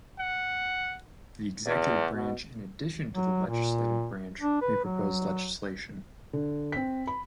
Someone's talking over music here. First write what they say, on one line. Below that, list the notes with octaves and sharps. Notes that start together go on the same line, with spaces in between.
The executive branch, in addition to the legislative branch, may propose legislation.
F#5
E2
B2
F#3
A#2
D4
B4
F#3
D3
C4 B6
B5